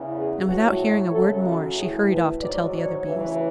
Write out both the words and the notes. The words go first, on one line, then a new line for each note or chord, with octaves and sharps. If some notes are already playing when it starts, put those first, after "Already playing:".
And without hearing a word more, she hurried off to tell the other Bees.
Already playing: E2 C#3 E3
G#4
A2 F#3 F#4
C#5
F#2 C#3 F#3 A4
F#4
A2 E3 G#4
B4
G#2 F#3 D5
C#5
D2 C#3 E3